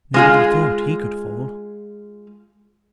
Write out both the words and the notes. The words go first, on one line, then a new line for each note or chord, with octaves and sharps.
Nobody thought he could fall.
G#3 F4 G#4